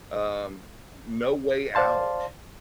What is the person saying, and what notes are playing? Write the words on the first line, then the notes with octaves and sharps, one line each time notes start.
Um, No Way Out.
C5 D5 F5 A5 C6